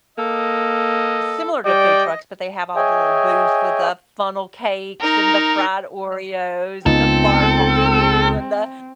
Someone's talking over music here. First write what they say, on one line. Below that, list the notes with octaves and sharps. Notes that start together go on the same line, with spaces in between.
similar to food trucks, but they have all the little booths with the funnel cakes, and the fried Oreos, and the barbecue, and the,
A#3 A4 D#5
G3 D5 D#5 G5
G#4 C#5 D#5 E5 G5 G#5
D#4 A#4
C#2 B3 C4 D#4 F4 A4